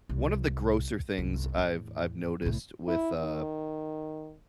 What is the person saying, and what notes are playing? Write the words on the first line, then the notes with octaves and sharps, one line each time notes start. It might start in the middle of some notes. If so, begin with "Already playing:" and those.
One of the grosser things I've I've noticed with, uh,
C2
G1 C2
E2 A2
C2 A2
E4
D#3